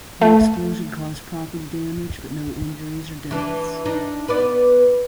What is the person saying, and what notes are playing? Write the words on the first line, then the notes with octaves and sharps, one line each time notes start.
The explosion caused property damage but no injuries or deaths.
A3
E3 D4
D4 D#4
B3 B4 D5